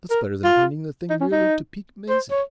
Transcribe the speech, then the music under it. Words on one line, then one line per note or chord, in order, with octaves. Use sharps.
That's better than painting the thing merely to pique Maisie.
A#4
F4
D#4
C#4
D#4
C5
C#5